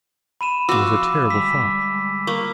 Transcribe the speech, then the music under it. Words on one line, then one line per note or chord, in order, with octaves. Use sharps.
It was a terrible thought.
B5 D#7 E7
F3 F#4 F5 B5 C6 D6 E6
D3 G3 G#3 B6
A#3 C#6